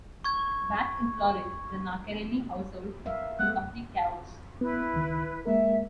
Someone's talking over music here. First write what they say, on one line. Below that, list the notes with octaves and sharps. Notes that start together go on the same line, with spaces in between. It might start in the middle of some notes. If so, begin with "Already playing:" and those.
Back in Florence, the Naccarelli household is in complete chaos.
C#6 G#6
A#4 E5 F5
G3 A3 B3 F#5
B3 E4 B4
C#2 D#3
G#3 A#3 A#4 E5